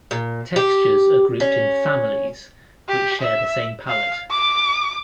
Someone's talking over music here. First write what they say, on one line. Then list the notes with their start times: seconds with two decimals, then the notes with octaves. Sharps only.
Textures are grouped in "families" which share the same palette.
0.11 A#2
0.56 G4
1.40 C#4
2.89 G4
3.21 E5
3.88 F5
4.31 D6